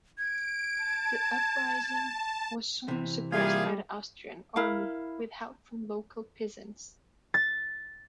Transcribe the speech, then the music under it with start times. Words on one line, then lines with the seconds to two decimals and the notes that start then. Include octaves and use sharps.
The uprising was soon suppressed by the Austrian army with help from local peasants.
0.18 G#6 D7
0.75 A5
2.88 C3 E3
3.32 G3 A#3 F4 G#4 E5 G#6
4.56 E4 A#4 F5
7.34 A6